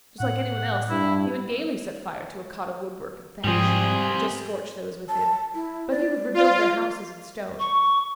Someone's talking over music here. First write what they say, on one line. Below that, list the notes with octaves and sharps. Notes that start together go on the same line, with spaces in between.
Just like any one else, he would gaily set fire to a cot of woodwork and thatch, and just scorch those within; but he would rebuild their houses in stone.
A2 F#5
G2 E4
G#2 F3 G3 C4 G#4
A5
E4
D5
F4
C#6